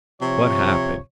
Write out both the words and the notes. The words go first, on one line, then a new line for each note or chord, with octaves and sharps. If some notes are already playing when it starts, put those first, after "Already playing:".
"What happened?"
C3 F3 C#5